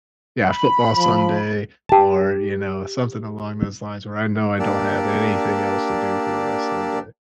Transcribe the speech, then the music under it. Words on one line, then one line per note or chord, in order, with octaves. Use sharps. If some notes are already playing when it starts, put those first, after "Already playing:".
Yeah, a football Sunday or, you know, something along those lines where I know I don't have anything else to do for the rest of the day.
B5
F3
G4 A5
A#3 D4 G4 D5 E6